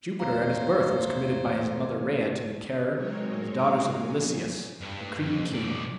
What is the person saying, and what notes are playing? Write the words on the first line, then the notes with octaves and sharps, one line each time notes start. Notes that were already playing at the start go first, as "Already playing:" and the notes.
Jupiter at his birth was committed by his mother Rhea to the care of the daughters of Melisseus, a Cretan king.
E2 A3 C5 C#5 F5 A#5
F#3 G#3 C4 D#4 A#4 C#5
F2 A#3 B3 F#4 F5 D6
F2 F#3 G#5
G2
F2
B1 D5